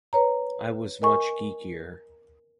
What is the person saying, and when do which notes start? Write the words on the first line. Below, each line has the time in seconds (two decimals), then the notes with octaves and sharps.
I was much geekier.
0.13 B4 C#5 A#5
1.02 A#4 D#5 G#5 C#6